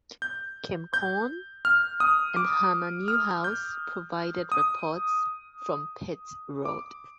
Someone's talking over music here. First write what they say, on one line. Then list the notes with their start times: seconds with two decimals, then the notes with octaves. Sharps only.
Kim Coon and Hannah Newhouse provided reports from pit road.
0.22 G6
0.94 G6
1.65 F6
2.00 D#6
2.36 D6
3.08 F6
3.44 G6
4.52 D#6
6.65 D6